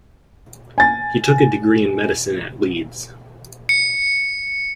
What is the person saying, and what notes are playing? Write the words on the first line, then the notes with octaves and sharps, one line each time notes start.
He took a degree in medicine at Leeds.
G#5 A6
C#7